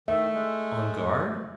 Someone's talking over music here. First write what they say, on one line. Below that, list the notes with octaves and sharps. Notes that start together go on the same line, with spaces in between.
"On guard?"
D#3 A3 E5
G#3